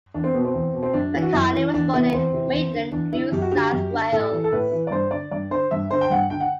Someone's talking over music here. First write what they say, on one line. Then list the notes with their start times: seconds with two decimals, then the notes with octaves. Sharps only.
Macartney was born in Maitland, New South Wales.
0.14 E2 D4
0.24 C4
0.34 B2 B3
0.45 C4
0.54 E2
0.73 B2
0.83 C4
0.94 F#2 D4
1.14 E3
1.22 F#4
1.33 F#2 E4
1.53 E3
1.74 E2 D4
1.93 C3 E3 B3
2.13 E2 C4
2.33 C3 E3
2.53 E2
2.73 D3
2.92 E2 D4
3.12 D3 E4
3.32 F#2 G4
3.42 F#4
3.51 D3 G4
3.72 F#2
3.92 D3
4.12 A2 A4
4.31 E3
4.44 A4
4.52 A2 B4
4.71 E3
4.87 D5
4.91 G2 C5
5.11 D3 D5
5.31 G2 D5
5.50 D3 C5
5.71 G2 E5
5.91 D3 C5
6.01 G5
6.10 G2 F#5
6.30 D3 G5
6.40 F#5